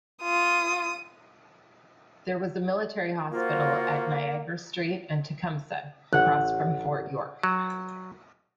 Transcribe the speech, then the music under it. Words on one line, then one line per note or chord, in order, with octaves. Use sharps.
There was a military hospital at Niagara Street and Tecumseh across from Fort York.
F4 D#6
A#3 F4 F#4 C5
A1 F#5 F#6
F#3